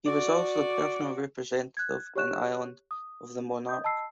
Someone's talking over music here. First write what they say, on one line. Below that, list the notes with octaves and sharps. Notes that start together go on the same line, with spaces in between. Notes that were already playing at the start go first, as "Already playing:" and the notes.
He was also the personal representative in Ireland of the monarch.
F#4 D5
F#6 G#6
G4 C#5 C#6 F#6 E7
D#6
D#5 D#6 G6
D#5 A5 B5 E6 C7